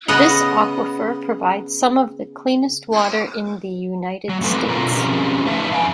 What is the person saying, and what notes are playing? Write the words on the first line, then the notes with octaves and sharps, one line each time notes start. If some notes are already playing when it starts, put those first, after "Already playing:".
This aquifer provides some of the cleanest water in the United States.
C#3 B3 D#5 F#5
F#3
A3 C4 G#4 A4 B4
B2 D3 C4 F4 A#4
F3 C4 C#4 G4 G#4
A3 D#4 B4 E5 F5 A5
F2 F5 G#5